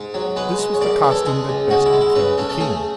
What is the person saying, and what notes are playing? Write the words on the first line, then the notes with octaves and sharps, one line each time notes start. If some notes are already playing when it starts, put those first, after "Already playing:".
This was the costume that best became the king.
Already playing: G#2
F#3
G#3 B4
G#3
C#5
F#2 D5
E3
A4
G#3 G#4
C#2
G#3 F#4
E4
G#3
E4
C#3 B4
C#3 A4
A4
A3 G#4